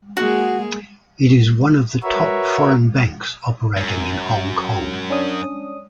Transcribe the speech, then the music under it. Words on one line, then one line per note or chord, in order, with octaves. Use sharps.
It is one of the top foreign banks operating in Hong Kong.
G#3 A#3 F#4 G#4
F#4 A#4 B4 C#5 E5
F#2
C#4 D4 D#6